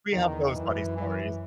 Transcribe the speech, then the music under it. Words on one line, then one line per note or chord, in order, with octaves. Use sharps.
we have those funny stories.
E2 D#3
F#2 E3
E3